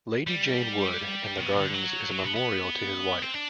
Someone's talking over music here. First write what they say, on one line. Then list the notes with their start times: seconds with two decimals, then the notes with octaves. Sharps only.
Lady Jane Wood in the gardens is a memorial to his wife.
0.27 G3
1.38 B2
1.57 D3
1.74 F#3
2.11 F#3
2.24 B3
2.36 B3
3.22 C4
3.34 D4